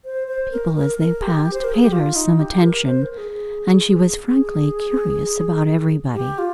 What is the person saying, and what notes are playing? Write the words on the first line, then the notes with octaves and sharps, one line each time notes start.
People, as they passed, paid her some attention, and she was frankly curious about everybody.
C5
C5
A#4
A#4
A#4
G4
C5
A#4
G#4
G4
F4
D#4
G4
A#4
C5
A#4
G#4
G#4
G4
F4